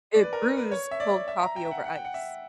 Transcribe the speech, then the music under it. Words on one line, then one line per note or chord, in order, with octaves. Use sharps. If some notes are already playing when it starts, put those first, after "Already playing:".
it brews cold coffee over ice.
D5
B4
A#4
B4
B4
C#5
E5
D5
E5
A#5
G5
E5
F#5
F#5
G5
F#5
E5